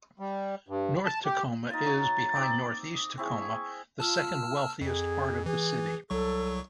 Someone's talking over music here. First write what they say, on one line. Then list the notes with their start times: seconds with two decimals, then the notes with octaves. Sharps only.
North Tacoma is, behind Northeast Tacoma, the second wealthiest part of the city.
0.19 G3
0.68 G2
1.06 A5
1.25 G4
1.70 D#4 F4 A6
1.86 F#3
2.36 C4 D#4 D6
2.95 D#6
3.18 C4 E4 G#4 C#6
4.00 F4 A5 E6 F6
4.81 F2 G#4
5.46 E3 G#4
6.10 C2 F#3 A4 C#6